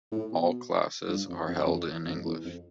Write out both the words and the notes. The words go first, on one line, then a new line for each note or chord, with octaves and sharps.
All classes are held in English.
A2
B2
G2
F2
F2
F2
F2
E2
F2